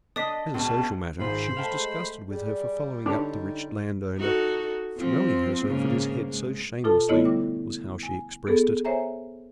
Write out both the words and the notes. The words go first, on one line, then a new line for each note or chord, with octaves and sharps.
As a social matter, she was disgusted with her for following up the rich landowner--"throwing herself at his head so shamelessly," was how she expressed it.
D4 D#5 D#6 B6
C#2 B2 A5
G#1 G#2 F4 C5 B5
G#3 A3 F5 G5 A5
G3 G#4 D5
D3 D4 D#4 G4 C#5
D#4 F#4 A4
F3 C4
G#2 C#3 A#3
G#3
B2 F4 A4 A5
D3 A3 B3 E4 C#5 D#5
G3 D6
G#5
B3 G#4 A4
C5 C#5 E5 G#5 A#5